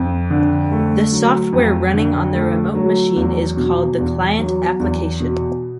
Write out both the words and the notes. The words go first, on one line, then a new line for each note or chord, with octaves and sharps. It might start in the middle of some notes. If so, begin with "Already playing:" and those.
The software running on the remote machine is called the client application.
Already playing: F2
D3
A3
F#3
F2
D3
A3
F#3
E2
B2
E2
F#3
E2
B2